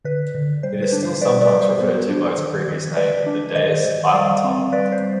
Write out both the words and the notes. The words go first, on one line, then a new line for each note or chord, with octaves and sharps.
It is still sometimes referred to by its previous name, the Deas Island Tunnel.
D3 B4
D3
G3 C5
B4
D4
C5
G3 B4 D5
B4 D5
G3
C5
B3
D4
D#3
D#3
G#3 B4 D5
D4
D#3 C5 D#5
D#3
G3 D5 F5
C4
G3 B4 D5
C5
G3